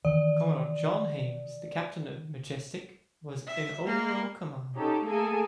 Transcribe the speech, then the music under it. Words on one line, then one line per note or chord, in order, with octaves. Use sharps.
Commodore John Hayes, the captain of "Majestic", was in overall command.
D#3 E3 D5
E5
A#3
C#4 D#4 G4 A4
A3 A#3 G#4 A4 G#5